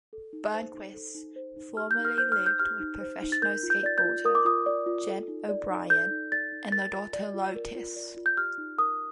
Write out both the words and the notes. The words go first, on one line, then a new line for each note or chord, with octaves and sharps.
Burnquist formerly lived with professional skateboarder Jen O'Brien, and their daughter Lotus.
A4
D#4
C5
D#4
A4
D#4
C5
D#4
G4 F6
G6
D#4
F6
C5 G6
F6
D#4
G6
G4 F6
D#4
C5
D#4
A6
A#4 G6
F4
G6
D5 A6
G6
F4
A#4 D#6
D6
F4 D#6
D5
F4
A4
D#4
D5
D#4
A4 G6
D#4
D5 A6
D#4
A#4 A6
F4
D5
F4
A#4
F4
D5
F4
G6
G4 F6
D#4
A#4 D#6